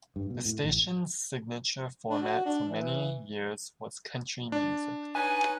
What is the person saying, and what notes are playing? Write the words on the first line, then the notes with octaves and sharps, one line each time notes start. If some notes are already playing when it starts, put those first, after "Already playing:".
The station's signature format for many years was country music.
G2
B2
A2
A1
D4
F#4
D4
E3
D4
D#4 B4 C#5 G#5